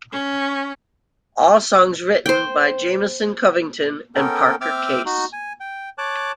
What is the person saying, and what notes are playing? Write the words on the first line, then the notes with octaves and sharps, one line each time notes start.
All songs written by Jamison Covington and Parker Case.
C#4
C5 G5
B3 C#4 A4 A#4 G5
C4 E5 G5 D6 E6 F6
D#4 F#4
G#5
G5
C#5 A5 D6 F#6